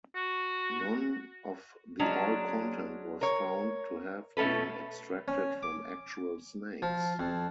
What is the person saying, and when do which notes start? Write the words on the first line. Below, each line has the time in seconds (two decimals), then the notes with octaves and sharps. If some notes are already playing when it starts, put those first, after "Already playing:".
None of the oil content was found to have been extracted from actual snakes.
0.15 F#4
1.99 F#3 G#3 C#4 D4
3.21 A#4 C#5
4.37 B2 A3 C#4 A4 B4
5.28 C#4
5.63 D6
6.82 F3
7.19 F2